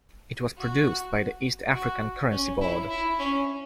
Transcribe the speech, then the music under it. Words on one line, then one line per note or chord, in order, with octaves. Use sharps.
It was produced by the East African Currency Board.
F#4
F#4
C#4
E4
E4
C#4